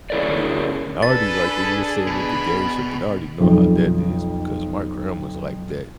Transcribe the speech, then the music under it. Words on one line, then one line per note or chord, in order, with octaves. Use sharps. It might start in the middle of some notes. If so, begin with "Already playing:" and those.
Yeah, and I already like what you were saying with the game show thing, I already know how that is because my grandma's like that.
C#4 E4 G#4 A#4 C#5 D5
D4 G#4 A4 B4 A6
B2 B5
B1 F2